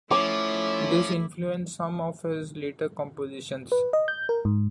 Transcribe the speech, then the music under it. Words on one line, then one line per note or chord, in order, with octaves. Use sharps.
This influenced some of his later compositions.
F3 A3 C#4 E4 D6
B4
D#5
G6
A#4
G#2